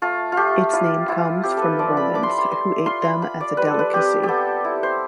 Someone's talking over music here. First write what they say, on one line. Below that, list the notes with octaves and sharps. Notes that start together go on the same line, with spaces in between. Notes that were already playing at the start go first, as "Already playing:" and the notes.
Its name comes from the Romans, who ate them as a delicacy.
A3 F4
F4
A3 G4
E4 F4
E4 F4
C4 G4
A4 B4
F3 D5
B5
E4 D6
C6
B5
C6
E4 C6
F4 C6
B5
F4 B5
D5
G3 B4
A4
B4
C4 G4
G4
B3 A4
E4
C5